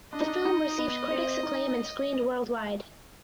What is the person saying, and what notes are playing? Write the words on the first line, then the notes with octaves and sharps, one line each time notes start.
The film received critics acclaim and screened worldwide.
D4 D#5
D#4
D4
D#4
B3
C4
D#4